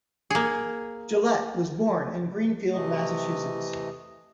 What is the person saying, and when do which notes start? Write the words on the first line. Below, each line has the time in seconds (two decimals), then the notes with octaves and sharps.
Jillette was born in Greenfield, Massachusetts.
0.30 A#3 G#4
2.72 C3 E3 A3 D#5